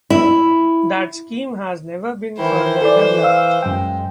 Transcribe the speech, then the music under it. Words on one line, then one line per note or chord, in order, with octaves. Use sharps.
That scheme has never been further developed.
E4
D#3 E3 E4 C5
E3 A4 D5
F5 E6
F#2 G#3 G5